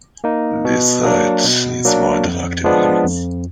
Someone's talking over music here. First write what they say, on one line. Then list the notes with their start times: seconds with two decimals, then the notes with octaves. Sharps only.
This site needs more interactive elements.
0.24 A#3 D#4
0.65 B2
1.04 F#3 A#3 D4
1.44 B2
1.85 F#3 A#3 D4
2.24 F2
2.64 F3 G#3 B3 D4
3.04 F2